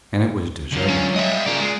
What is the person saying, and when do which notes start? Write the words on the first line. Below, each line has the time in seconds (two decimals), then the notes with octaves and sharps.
And it was deserted.
0.72 D3 F#3 F4
0.90 C#4
1.16 G3 G#3 D#5 E5
1.46 C#3 F4 A#4 D5
1.61 G#3